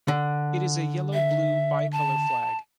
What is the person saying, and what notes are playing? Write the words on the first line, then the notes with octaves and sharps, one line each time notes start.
It is a yellow-blue bicolor flag.
D3
E5
A5